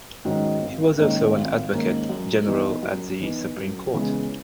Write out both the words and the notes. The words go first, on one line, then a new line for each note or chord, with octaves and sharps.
He was also an Advocate General at the Supreme Court.
G#2 D#3 F#3 C#4
G#1
G#2 D#3 A#3 C#4
G#1
G#2 D#3 A#3 C#4
F#2
E3 B3 D#4
F#2
E3 B3 D#4
F#2
C#3 E3 G#3 B3